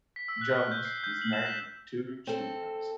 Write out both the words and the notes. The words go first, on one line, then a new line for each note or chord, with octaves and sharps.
Jones is married with two children.
B6
E6
F#6
F6
G6
C7
G6
F#7
E7
B6
C4 A4